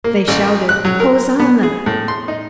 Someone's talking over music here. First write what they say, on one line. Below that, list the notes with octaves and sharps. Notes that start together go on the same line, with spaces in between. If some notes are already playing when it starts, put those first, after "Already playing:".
They shouted, "Hosanna!"
A#3
A1
F#6
F#3
A#4
B3
G#4
A2
C6
D#4